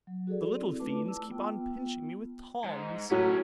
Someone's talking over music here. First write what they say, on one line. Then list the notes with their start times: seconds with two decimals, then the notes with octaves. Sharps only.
The little fiends keep on pinching me with tongs.'
0.07 F#3
0.27 F#4 G#4 A4 D5
0.56 C4 E4
0.80 A3 F4 B4 A5 D6
1.06 A5 E6
1.29 B3 F4 G5
2.64 G#2
3.11 A2 F#3 C#4 F#4 B4